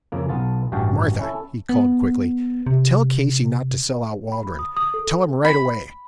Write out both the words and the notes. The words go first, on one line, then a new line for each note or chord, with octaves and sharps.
'Martha,' he called quickly,--'tell Casey not to sell out Waldron--tell him right away.
F2 C#3 A#3
B1 B3 F4 A5
A1 G2 F#4 F5 G5 A5
C#4 E4 A4
B3
C3
B5
D#6
D#6
A4
B5